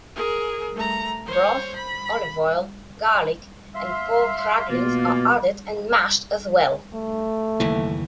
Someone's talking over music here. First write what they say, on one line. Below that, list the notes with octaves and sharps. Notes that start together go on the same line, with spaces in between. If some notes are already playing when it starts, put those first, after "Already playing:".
Broth, olive oil, garlic, and pork cracklings are added and mashed as well.
G#4 A#4
A3 A#5
C5 C#5
B5
E5 F5 C6
B2 A#3 F4
A3
F#1 D#2 E3